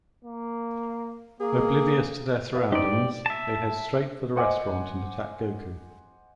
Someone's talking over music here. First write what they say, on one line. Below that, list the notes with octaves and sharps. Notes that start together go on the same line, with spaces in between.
Oblivious to their surroundings, they head straight for the restaurant and attack Goku.
A#3
A#3 G#4
B4 E5 F5
D#4 G4 C5 D5 D#5
E5 A5
C5 D#5 F#5 G#5 D6